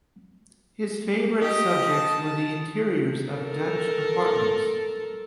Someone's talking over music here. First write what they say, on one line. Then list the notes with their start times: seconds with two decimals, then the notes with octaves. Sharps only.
His favourite subjects were the interiors of Dutch apartments.
1.41 G4 D#5
1.91 A5
3.29 A4 A#4